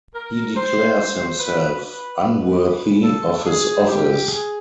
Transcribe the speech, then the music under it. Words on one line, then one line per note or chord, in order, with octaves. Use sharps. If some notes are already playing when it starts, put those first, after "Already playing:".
He declares himself unworthy of his office.
A#4
C5
C5
B4
B4
A4
G#4
G4
G#4